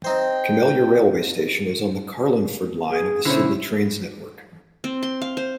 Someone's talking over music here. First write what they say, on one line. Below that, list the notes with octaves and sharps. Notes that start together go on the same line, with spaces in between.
Camellia railway station is on the Carlingford Line of the Sydney Trains network.
C4 D#4 C5 G5
G#4
B2 D3 C#4 E4 C5 C#5
C4
C6
F5
C5